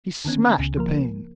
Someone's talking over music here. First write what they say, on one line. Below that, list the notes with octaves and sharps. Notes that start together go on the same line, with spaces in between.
He smashed a pane.
D3 D#3 B3 C#4
C#2 C#3
F3 A#3 A#4